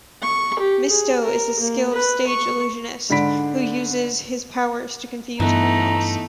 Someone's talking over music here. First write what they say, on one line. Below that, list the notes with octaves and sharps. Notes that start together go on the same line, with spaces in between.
Mysto is a skilled stage illusionist, who uses his powers to confuse criminals.
C#6
G4
G#4
A#4
A#3
B4
C#6
G#2 D3 D4 B5 B6 D7
G2 E3 A3 B3 D#4 A#5